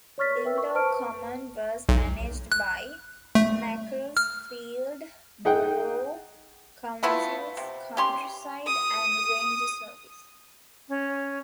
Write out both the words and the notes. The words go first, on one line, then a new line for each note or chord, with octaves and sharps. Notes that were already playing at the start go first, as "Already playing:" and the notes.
Lindow Common was managed by Macclesfield Borough Council's Countryside and Ranger Service.
C#5 D5 C#6 F6 A6 B6
A#4 C#6
B4 E5 G5 E6
C#6
C5 A5 C#6 F6 D7
B4
B1
F#6
A3
F6
D#4 G#4 F#5 G5
A3 B3 E4 F4
C3
C#4 G4 C6
D#6
C#4